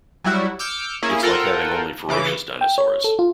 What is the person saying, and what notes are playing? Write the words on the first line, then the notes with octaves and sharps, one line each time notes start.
It's like having only ferocious dinosaurs.
F#3 G3 E4 F#4
D6 E6 F6 G6 C#7
A#3 C#4 E4 G#4
F4 A4 A#4 F#5 G5
C#3 E3 D6
G5
C#5
A4
F4